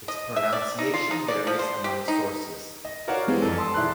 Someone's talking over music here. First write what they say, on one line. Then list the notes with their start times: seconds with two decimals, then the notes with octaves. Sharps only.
Its pronunciation varies among sources.
0.08 D#5
0.36 E5
0.53 D5
0.79 D#4
0.94 F4
1.11 D#4
1.28 D5
1.47 F3
1.59 C5
1.84 G4
2.08 D#4
2.85 D#5
3.07 F#4 A#4 C#5 D5 F5 F#5
3.27 E3 G3 G#3 C4 D4
3.42 F2 A4
3.57 A5 C6 D#6 E6
3.74 E1 E4 D5 C6 F#6